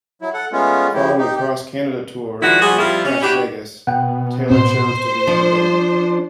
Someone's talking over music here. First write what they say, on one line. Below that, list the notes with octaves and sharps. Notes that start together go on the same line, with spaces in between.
Following a cross-Canada tour with Crash Vegas, Taylor chose to leave the band.
F#3 E4
A4 F#5
G#3 A3 B3 C#4 F4
F3 A3 E4 G4
D#4 G4
G4
D#3 F3 G#3 D4 E4 F#4
F3 G3 F#4 G#4
F3 G3 C4 E4 F4 G4
C#4
D4 E4 F#4 G4
B2 F#5 G5
A2 C4 C5
F3 D4